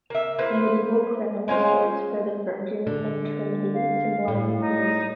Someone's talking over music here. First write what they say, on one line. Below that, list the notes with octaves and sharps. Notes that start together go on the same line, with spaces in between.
The medieval crown stands for the Virgin and Trinity, symbolizing wisdom.
A#3 E5
A#3 E4 B4 C5
G#3 C#4 F4 C5
D3
F5
A2
D#4